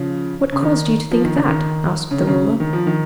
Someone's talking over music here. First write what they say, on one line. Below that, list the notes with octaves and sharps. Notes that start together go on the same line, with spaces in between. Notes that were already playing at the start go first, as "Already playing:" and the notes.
"What caused you to think that?" asked the Ruler.
Already playing: C#3 F3
C#3
D#3
F3
D#3
C#3
D#3
C#3
D#3
C#3
D#3
F3
D#3